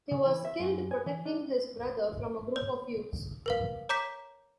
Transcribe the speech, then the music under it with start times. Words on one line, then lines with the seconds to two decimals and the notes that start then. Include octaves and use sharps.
He was killed protecting his brother from a group of youths.
0.11 C#3
0.26 E3
0.45 E5
0.60 F#2
0.91 G#5
1.06 E3
1.25 D4
2.56 C#5
3.46 A#4 B4 F5
3.89 C#5 A#5 D6 G6 B6